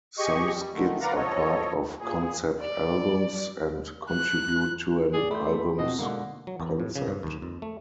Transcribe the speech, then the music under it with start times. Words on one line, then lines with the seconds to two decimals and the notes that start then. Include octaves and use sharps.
Some skits are part of concept albums and contribute to an album's concept.
0.18 G4 G#4 D#5 C#6
0.54 G3
0.74 D3 D#3 A3
1.01 A#4 B4 D5 F5 F#5 A#5
1.16 F3 A4 C#5 D#5
2.00 A#2 G#4
2.60 D5
4.10 F#6
5.13 A2 G#4 D5
5.31 A3 B5 C6 G6
5.61 B5
5.79 F2 B2 C4 D#5
5.98 G#2 B2 D3 A#3
6.47 F#3
6.60 E2
6.80 A2
6.96 C#3
7.08 G2
7.23 D#2
7.42 F2
7.62 A3